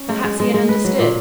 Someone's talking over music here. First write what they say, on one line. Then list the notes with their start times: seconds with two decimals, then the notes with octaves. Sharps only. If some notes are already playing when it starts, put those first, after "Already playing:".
Perhaps he had understood.
Already playing: C#4
0.09 G#3
0.24 G#3
0.40 G#3
0.54 G#3
0.69 B4
0.84 F#3
0.99 A#2